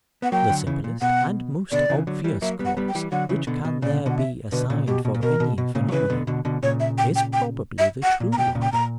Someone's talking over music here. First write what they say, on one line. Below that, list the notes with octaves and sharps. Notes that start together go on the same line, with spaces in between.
The simplest and most obvious cause which can there be assigned for any phenomenon, is probably the true one.
B3 F#5
F#3 A#3 G5
D3 F#3
C#3 E3
A#2
B2 F#5
B2 D3 D5
C#3 E3
D3 F#3
E3 G3
F#3 A#3 E5
G3 B3
F#5
G3 B3
G5
E3 G3
D3 F#3 F#5
C#3 E3
B2 D3
B2
A#2 C#3 D5
B2 D3 F#5
E5
B2 D3 B4
A#2 C#3
B2 G4
B2
A#2
B2 A#4
B2
B2
A#2 C#3
F#3
C#3 E3 B4
B2 D3
B2 D3
B2 D3
A#2 C#3 C#5
E5
G5
G5
G5
E5
F#5
A#2
A#5
B2 G5
A#2 C#3
G5
A#2 A#5